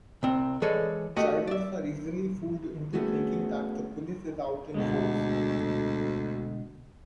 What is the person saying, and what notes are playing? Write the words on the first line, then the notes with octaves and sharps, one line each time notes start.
Drivers are easily fooled into thinking that the police is out in force.
C2 C4
E3 G#3 G#4 A4 C#5 D5
A3 F#4 G4 D#5
D5 E5
G3 A3 B3 C#4 F#4 G#4
D2 B2 D3 G#3